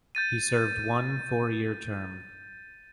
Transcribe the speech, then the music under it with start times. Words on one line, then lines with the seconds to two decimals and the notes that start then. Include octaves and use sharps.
He served one four-year term.
0.15 G6 A6 D#7